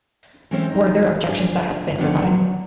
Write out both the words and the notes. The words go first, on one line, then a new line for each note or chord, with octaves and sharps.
Were there objections that had been forgotten?
E3 G#3 A3 C4 C#4 C5
D#4
D4 F4 G#4
D3 D#3 F3 B3 D4 F4
F#3